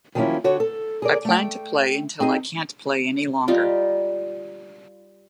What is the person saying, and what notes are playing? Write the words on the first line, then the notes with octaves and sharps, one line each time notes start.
I plan to play until I can't play any longer.
D#3 F3 F#3 A#3 C#4 E4
D3 F#4 C#5
A4
G#4 A#4 D5
A3 G5
C4 D#4 G#4 D#5
G3 D#4 F4